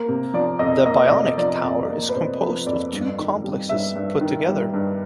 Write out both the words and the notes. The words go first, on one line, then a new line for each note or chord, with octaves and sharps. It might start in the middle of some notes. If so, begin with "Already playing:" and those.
The Bionic Tower is composed of two complexes put together.
Already playing: A#3 A#4
C3
F3 D5
F2 D#5
A#3 D#5
D5
C3 D#5
F3 D5
F2
A#3
B4
C3 C5
F3 B4
F2 D5
G2
D#3
G3
G2 E5
G2
D#3
G3
G2